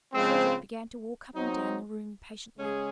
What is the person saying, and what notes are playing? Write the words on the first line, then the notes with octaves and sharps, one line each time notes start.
Frederick began to walk up and down the room impatiently.
C#3 F3 G#3 C4
F#3 C4 D#4
C#3 G#3 C#4 G#4